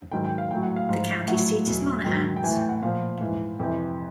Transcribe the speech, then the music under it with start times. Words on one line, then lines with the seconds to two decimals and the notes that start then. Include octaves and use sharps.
The county seat is Monahans.
0.12 G#2 D#3 F#3 G5
0.25 G5
0.38 F5
0.51 A2 F#3 G5
0.63 F#5
0.76 F5
0.89 G#2 F3 F5
1.27 A2 F#3 F#5
1.66 E2 B2 F#3
2.04 G#2 D#3 F#3 G5
2.36 G5
2.44 E3 G#5
2.48 A2
2.56 G5
2.69 F#5
2.82 A#2 F3 F5
3.21 G#2 E3
3.59 F2 C3 E3 G5